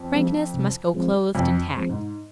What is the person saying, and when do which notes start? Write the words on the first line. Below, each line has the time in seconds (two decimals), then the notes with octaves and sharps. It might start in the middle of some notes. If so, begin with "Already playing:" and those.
Frankness must go clothed in tact.
Already playing: F2
0.13 F3 G#3 C4
0.54 C3
0.94 F3 G#3 C4
1.35 F2 C3
1.76 F3 G#3 C4
1.89 G#2